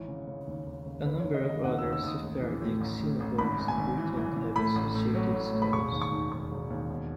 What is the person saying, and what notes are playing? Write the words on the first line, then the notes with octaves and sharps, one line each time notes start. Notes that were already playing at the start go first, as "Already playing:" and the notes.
A number of other Sephardic synagogues in Britain have associated status.
Already playing: G#1 E3 C#5
C#3
C#3
D#2
D#2
C#3
D#2 B4
C#5
D#2
D#5
C#3
D#5
D#2 F#5
D#2 E6
E6
D#2 D#6
A1
E3
A2
A1
A2
A1
G#1 B5
G#1
G#5
G#1
E3
E3
E3
A2 B5
A1
A2
F#3
A2
A2
B5
E1 C#6
D#2
C#6
D#3
E1 C#6
E1
D#2
B2